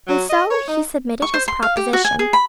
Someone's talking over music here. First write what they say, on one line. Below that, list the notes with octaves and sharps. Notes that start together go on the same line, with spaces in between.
And so he submitted his proposition.
F#3
D#5
C#5
D#4
C#6
C5
C6
F5
G4
F#4
G#5
G#4
B5